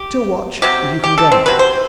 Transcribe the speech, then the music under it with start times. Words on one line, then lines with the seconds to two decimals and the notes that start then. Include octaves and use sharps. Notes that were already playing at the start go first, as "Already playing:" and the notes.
Til watch, and you can go.'
Already playing: G4
0.62 C3 F#3 C4 G4
1.04 G4
1.18 A4
1.32 C4
1.46 C3 F#3 B4
1.59 C5